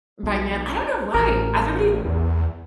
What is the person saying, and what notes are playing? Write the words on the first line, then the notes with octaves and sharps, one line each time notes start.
by then I don't know why, everybody
B1
A1 A#4
E2